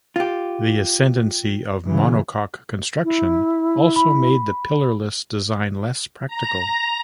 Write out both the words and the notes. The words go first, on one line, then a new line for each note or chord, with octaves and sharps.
The ascendancy of monocoque construction also made the pillarless design less practical.
F4 G4
C#3 E3
E4
B5
A#5